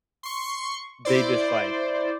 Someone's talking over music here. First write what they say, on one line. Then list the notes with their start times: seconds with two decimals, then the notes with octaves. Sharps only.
they just, like
0.23 C6 C#6
1.05 E4 C5 D5